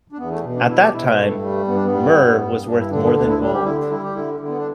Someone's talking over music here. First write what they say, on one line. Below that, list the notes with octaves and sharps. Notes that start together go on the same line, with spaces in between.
At that time, myrrh was worth more than gold.
D4
E2 B3
A3
B2
D4
B2 E4
G4
B2 E4
A3
G2 A3
G3
G2 B3
D4
B3
G3
G2
G2
B3
G2 D4
E4
D3 D4
B3
D2 D4
E4
G3 D4
G4
D3 E4
D4
G3 E4
G4
D3 E4
D3
B3
D4